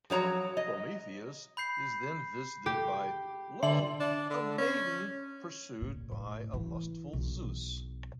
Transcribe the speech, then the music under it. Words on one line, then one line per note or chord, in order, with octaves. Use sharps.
Prometheus is then visited by Io, a maiden pursued by a lustful Zeus.
F3 F#3 C#5 A#5
D#5
B5 G6 C7
G4
D3 E5 C6 F#7
D4
D3
C#4
A#2
A2
E3
B1